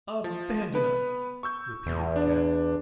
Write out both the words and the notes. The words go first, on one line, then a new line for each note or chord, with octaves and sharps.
"Abandon us," repeated the Cat.
F3
B3 B4
C#6 E6 G6
E2
D4